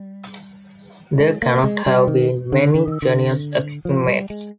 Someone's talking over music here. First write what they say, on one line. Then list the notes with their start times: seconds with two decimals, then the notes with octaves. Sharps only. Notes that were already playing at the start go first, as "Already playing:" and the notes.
There cannot have been many genuine ex-inmates.
Already playing: G3
1.20 G#3
1.42 A#3
1.64 G#3
1.86 G3
2.08 D#3
2.52 D3
2.75 D3
2.88 D#3
3.02 D3
3.85 F3
4.07 G3
4.30 G#3